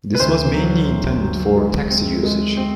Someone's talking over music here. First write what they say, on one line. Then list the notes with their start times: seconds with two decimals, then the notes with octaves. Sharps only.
This was mainly intended for taxi usage.
0.15 B4
0.20 D2 C5
0.54 F#3
0.88 D2
1.21 F#3
1.56 G#3
1.89 C4
2.23 G#3
2.57 C4